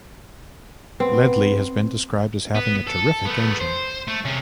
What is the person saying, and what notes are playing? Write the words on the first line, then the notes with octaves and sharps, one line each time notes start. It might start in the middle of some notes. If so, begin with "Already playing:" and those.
Ledley has been described as having a terrific engine.
B3 C4
B3
A4
A3 B3
C5
A3
C3 C#4